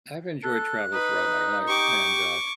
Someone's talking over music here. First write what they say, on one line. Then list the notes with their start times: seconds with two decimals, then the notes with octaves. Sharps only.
I've enjoyed travel throughout my life, and, uh,
0.44 A4 F#6
0.93 D#4 B4
1.68 G4 C#6 D6